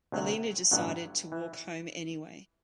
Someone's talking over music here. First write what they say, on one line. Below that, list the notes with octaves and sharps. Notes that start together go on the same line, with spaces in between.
Helena decided to walk home anyway.
D2 C3 F#3
A1 G2 D3 F#3 B3
E3